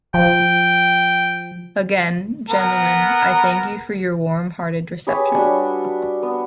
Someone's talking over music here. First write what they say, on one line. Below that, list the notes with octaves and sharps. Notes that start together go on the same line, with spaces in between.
Again, gentlemen, I thank you for your warm-hearted reception.
F3 G5
B3 A#4
G4 G#4 B4 C#5
G3 D4 F#4 C#6
B3